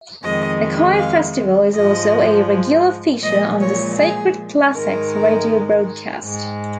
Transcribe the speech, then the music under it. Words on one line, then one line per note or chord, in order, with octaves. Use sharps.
The Choir Festival is also a regular feature on the "Sacred Classics" radio broadcast.
F2 D#3 G#3 D#5
F5
G#2 F3 G#3 D#5
A#2 F3 G#3 D#5
C#5
G#4
G#2 D#3 G#3 A#4
G#2 G#3